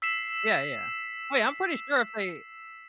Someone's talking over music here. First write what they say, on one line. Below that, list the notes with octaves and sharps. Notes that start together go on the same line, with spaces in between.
Yeah, yeah, oh, yeah, I'm pretty sure if they
E6 B6 C7 E7